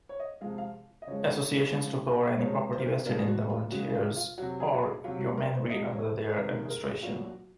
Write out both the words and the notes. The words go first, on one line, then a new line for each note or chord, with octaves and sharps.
Associations took over any property vested in the volunteers or yeomanry under their administration.
C#5
D#5
C3 F3 G#3 F5
F5
D#5
C#3 F3 G#3 C#5
C#3 F3 G#3
C5
C3 F3 G#3 C#5
C5
A#4
C5
A#2 F3 G#3 A#4
G#4
F#4
F4
C#3 G#3 F#4
F4
F4
C3 F#3 F#4
G#4
F#4
G#4
C3 F#3 F4
F#4
A#4
C5
C3 F3 G#3 D#5
C#5
C5
C3 D#3 G#3 A#4
A#4
G#4
A#4
G#4
A#2 F#3 F4
F#4